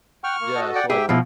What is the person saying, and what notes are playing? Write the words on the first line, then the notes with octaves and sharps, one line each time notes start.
yeah, so, I t
F#5 G5 C#6 F6
A#3
F#4 A4 D#5
D5 F#5 G5
G#2 G4 G#4 E5 G5
B2 F3 E4